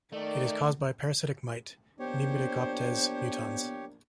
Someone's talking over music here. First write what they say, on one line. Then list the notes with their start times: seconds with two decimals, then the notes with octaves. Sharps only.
It is caused by a parasitic mite, "Knemidocoptes mutans".
0.12 D#3 A3 D5
1.99 F3 A#3 B3 D4 G4 C5 C#5